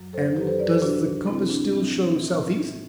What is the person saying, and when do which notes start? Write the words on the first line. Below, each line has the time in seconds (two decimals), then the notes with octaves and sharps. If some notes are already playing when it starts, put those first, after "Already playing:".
"And does the compass still show south-east?"
Already playing: F#2 F#3
0.13 A4 C5
0.36 F#3 G4 B4
0.41 F#2
0.47 A4 C5
0.58 B4 D5
0.70 A4 C5
0.82 D2 C3 F#3 D4 F#4
1.27 D2 C3 F#3 C4 E4
1.50 D4
1.72 A2 E3 C4
2.18 A2 E3
2.64 A2 E3